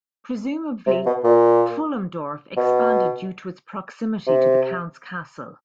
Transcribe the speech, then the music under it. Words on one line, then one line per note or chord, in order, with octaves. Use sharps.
Presumably, Pfullendorf expanded due to its proximity to the counts' castle.
C3
B2
A#2
B2
C3